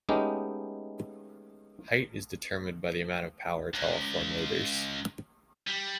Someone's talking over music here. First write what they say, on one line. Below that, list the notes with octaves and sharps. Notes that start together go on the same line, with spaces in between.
Height is determined by the amount of power to all four motors.
G#3 A3 B3 C#4 D#4 G4
C#2
G3